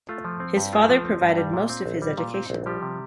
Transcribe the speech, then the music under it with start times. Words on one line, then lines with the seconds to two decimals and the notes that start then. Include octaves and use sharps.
His father provided most of his education.
0.09 A3 F4
0.25 F3
0.40 C4
0.57 G2
0.73 A3 F4
0.89 F3
1.05 C4
1.22 G2
1.38 G3
1.54 A#2
1.69 C4
1.86 A#1
2.02 G3
2.18 A#2
2.34 C4
2.50 A#1
2.66 F3 G3 G4
2.82 C3